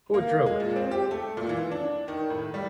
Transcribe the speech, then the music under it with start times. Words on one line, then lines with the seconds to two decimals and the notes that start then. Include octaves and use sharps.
Who drew it?
0.14 A#3
0.46 G#3
0.60 A#2
0.76 C4
0.91 G4
1.11 A3
1.37 A#2
1.49 E3
1.71 D4
2.08 D#3
2.30 A2
2.54 G3